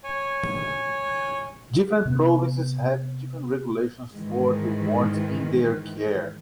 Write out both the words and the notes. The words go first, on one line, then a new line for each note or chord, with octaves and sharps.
Different provinces have different regulations for the wards in their care.
C#5 G#5
C3 B3 C4
G#2 D#3 E3 G#3